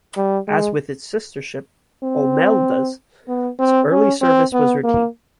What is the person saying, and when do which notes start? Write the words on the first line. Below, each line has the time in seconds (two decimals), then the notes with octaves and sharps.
As with its sister ships, "Olmeda's" early service was routine.
0.17 G3
0.48 G#3
2.03 C4
3.28 B3
3.59 C4
3.91 C#4
4.21 C4
4.53 B3
4.84 A#3